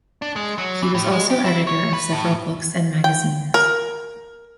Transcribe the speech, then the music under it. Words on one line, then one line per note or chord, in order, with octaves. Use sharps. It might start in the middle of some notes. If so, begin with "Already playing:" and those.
He was also editor of several books and magazines.
D4
G#3
F#3
E3
A2
G#3
G4
E4
C#5
B4
A2
G5
A#4